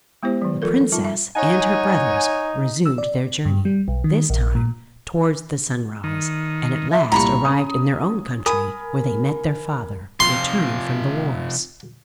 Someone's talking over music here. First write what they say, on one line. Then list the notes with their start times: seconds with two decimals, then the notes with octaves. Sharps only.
The princess and her brothers resumed their journey, this time towards the sunrise, and at last arrived in their own country, where they met their father, returning from the wars.
0.23 G#3 B3 E4 G4 C5
0.42 D#3 F#3
0.62 F3 F4 A4 A#4
0.74 A4
0.92 G3 D#4 F4 A5
1.05 E5
1.36 D#4 C#5 F#5 G#5
2.86 E6
2.98 D5
3.45 G2
3.65 G3
3.88 B1
4.04 D#3
4.30 A#1
4.55 A#2
6.04 D#3
6.91 E5
7.12 C2 A#2 A#5 B5 C#6
7.45 C#4 D#6
8.46 A#4 G#5 B5 D#6
10.20 C3 F3 F4 C6